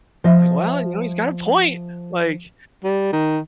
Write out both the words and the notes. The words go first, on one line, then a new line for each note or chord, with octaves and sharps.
like, "well, you know, he's got a point, like"
F3 D#5 E5
G3
D#3